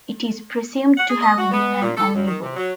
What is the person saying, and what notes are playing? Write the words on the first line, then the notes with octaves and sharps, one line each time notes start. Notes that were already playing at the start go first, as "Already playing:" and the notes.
It is presumed to have been an omnivore.
F#5
G#4
D#5
F#4
B3
A#2
A4
F#2
D#3
C3
F#3